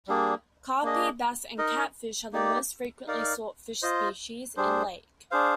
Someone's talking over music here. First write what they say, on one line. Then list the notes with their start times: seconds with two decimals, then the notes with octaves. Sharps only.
Crappie, Bass and Catfish are the most frequently sought fish species in lake.
0.08 G3 A#3 D4 G#4
0.83 A#3 D4 G#4 D#5
1.58 D#4 A#4 D#5
2.33 A#3 D#4 G4 D5
3.07 D#4 A#4 D5 F5
3.82 F4 C5 D#5
4.57 G3 D4 G#4 C5
5.31 D4 G#4 C5 F5